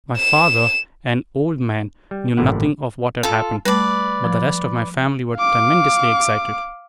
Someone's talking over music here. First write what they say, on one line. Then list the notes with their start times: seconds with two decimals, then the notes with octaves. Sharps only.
My father, an old man, knew nothing of what had happened, but the rest of my family were tremendously excited.
0.18 E7
2.11 G3
2.37 A1 G2 A#2 D3 E4 F#5
3.23 F4 A4
3.65 G3 A3 B4 D5
4.24 F3
5.37 F5 D6